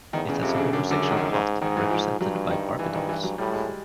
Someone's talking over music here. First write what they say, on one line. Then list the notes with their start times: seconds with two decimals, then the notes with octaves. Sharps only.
It has a homosexual plot, represented by Barbie dolls.
0.13 E2 D#3
0.28 C#3
0.43 F2 C3
0.54 D3
0.58 C#3
0.73 F#2 D3
0.91 D3
1.02 C#3
1.11 D#3
1.17 D3
1.32 G#2
1.61 G#2 D#3
1.77 E3
1.91 F3
2.20 G2 F#3
2.35 F#3
2.50 D#3
2.79 G2 E3
2.94 D#3
3.09 E3
3.23 F#3
3.38 A2 G3
3.54 G#3